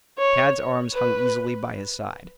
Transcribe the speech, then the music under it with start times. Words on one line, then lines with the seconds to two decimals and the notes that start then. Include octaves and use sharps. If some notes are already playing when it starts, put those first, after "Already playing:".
Tad's arms hung easily by his side.
0.18 C#5
0.94 B4